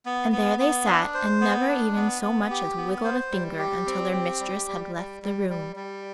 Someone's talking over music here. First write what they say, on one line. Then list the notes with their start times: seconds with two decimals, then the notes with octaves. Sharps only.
And there they sat and never even so much as wiggled a finger, until their mistress had left the room.
0.06 B3
0.32 B3
0.59 B3
0.86 D4
1.14 C5
1.41 B3
1.68 D4
1.96 B3
2.22 B3
2.50 G4
2.77 B3
3.04 C5
3.31 G3
3.59 G4
3.86 C4
4.13 G4
4.40 G3
4.68 G3
4.95 G3
5.23 G3
5.50 G3
5.76 G3